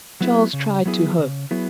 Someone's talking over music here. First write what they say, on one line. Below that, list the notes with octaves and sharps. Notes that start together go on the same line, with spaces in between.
Charles tried to hope.
F#3 B3 E4 G#4
C#3
F#3 B3 E4 G#4
C#3
F#3 B3 E4 G#4